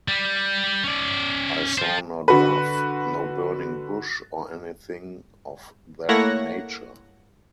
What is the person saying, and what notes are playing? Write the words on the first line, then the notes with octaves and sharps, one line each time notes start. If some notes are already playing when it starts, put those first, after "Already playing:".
I saw no dove, no burning bush or anything of that nature.
G3
C#4 D5
F4 C5
D3 F#4 B4
A3 A#3 E4 C#5 F#5 A#6